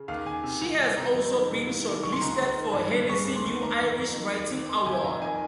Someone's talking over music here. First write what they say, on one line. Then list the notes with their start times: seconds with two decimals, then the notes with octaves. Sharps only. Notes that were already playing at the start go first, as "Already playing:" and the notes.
She has also been shortlisted for Hennessy New Irish Writing Award.
Already playing: C#3
0.08 D#2 F5
0.26 D#2 G#5
0.43 C3
0.61 C2
0.79 D#3
0.97 C3 A#5
1.14 F2
1.32 D#3
1.50 C3
1.68 C2
1.85 D#3
2.03 C#3 C#6
2.13 C6
2.21 C#2 A#5
2.31 C6
2.38 C#2
2.56 D#3
2.74 G2
2.92 G2
3.09 C#3 C#6
3.27 D#2
3.36 C6
3.44 D#2
3.62 D#3 A#5
3.80 F2
3.98 F2
4.15 D#3
4.34 D#2
4.52 D#2
4.69 D#3 C6
4.86 F2 G#5
5.04 F2 A#5
5.22 D#3 G#5